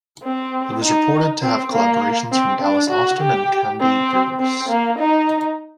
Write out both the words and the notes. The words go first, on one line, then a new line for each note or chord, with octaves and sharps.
It was reported to have collaborations from Dallas Austin and Kandi Burruss.
C4
D#4
C4
A#3
C4
D4
F#4
G4
C4
C4
A#3
D#4